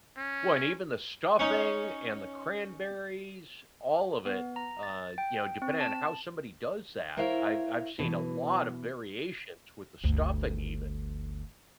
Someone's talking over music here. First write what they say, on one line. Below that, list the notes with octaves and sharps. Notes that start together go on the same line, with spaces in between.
Well, and even the stuffing and the cranberries, all of it. Uh, you know, depending on how somebody does that, I've I've seen a lot of variations with the stuffing even,
C#4
C#4 D#4
B3
A#5
A6
G5
C4
A5
E4 A#4 C5 C#5 E5 F5
B2 E3
G1 D2